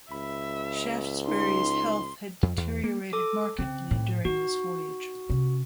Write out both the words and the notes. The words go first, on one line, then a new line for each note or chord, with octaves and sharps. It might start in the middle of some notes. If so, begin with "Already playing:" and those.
Shaftesbury's health had deteriorated markedly during this voyage.
C#2 E5 B5
D#4 C6
F2
E2
A#3
A4 D6
C#3 C4
A2
D#4 F#4
C3 C#4